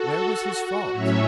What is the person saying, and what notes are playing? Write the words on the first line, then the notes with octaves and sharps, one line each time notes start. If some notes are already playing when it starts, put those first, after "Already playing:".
Where was his fault?
Already playing: F#4 A4
F#4
A2 F#3 C#4 C#5 E5